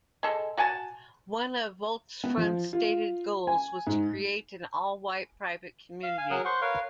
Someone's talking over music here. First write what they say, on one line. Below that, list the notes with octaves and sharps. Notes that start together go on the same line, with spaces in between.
One of Volksfront's stated goals was to create an all-white private community.
G#3 A4
F#4 F#5 G#5 A5
B3
F3
F4
G#5
G#2
F5
F5 G#5
F#3 G#4 A#4 F#5
C5 F#5 C6 C#6
A#4 B4 C#5 F5